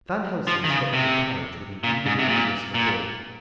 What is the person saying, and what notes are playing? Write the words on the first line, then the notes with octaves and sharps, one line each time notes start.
Van Helsing stepped from the carriage with the eager nimbleness of a boy.
F3
D#3
C#3
C3
A#2
G#2
C3
A#2
A#2